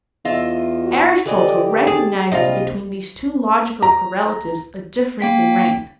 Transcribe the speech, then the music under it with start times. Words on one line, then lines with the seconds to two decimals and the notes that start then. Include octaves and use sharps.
Aristotle recognises between these two logical correlatives a difference in rank.
0.25 E2 F4 D#5 E5
0.84 F#4
1.26 D3 E3 G4 D5 D#5
1.87 G#4 A5
2.32 A#1 C3 G3 F4 D#5
3.83 A#5
5.20 A#3 G5 B6